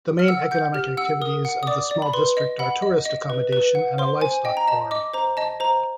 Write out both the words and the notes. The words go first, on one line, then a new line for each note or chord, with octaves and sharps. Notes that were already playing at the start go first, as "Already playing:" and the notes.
The main economic activities of the small district are tourist accommodation and a livestock farm.
F6
F#5 E6
F#5 G6
G4 F6
F#5 E6
A#4 D#6
F#5
D#6
D5 D6
D5
B5
B4 C6
D#5
F#5 B5
D#5
D#5
B4
B4
F#5
C5 C6
C5 G#5
D#5 G5
A#5
D#5 A5
D#5 D6
C5 A#5
D#5 A5
C5 A#5